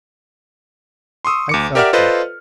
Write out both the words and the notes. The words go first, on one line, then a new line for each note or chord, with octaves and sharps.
I felt that.
C6 C#6 D#6 E6
D2 D6 C#7
G4 A#4 D5 E5 F#5 F6
F4 A4 B4 C5 D5 D#5